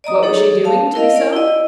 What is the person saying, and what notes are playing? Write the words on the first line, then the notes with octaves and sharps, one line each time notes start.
What was she doing to be so?
D5 D#5 A#5 D#6
D#4 G#4 A4 C#5
F5 A5
E4 A#4 D#5 F5
D5
E4 D#5